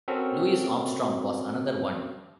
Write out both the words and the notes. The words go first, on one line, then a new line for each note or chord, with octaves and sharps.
Louis Armstrong was another one.
C4 C#4 F#4 A4 A#4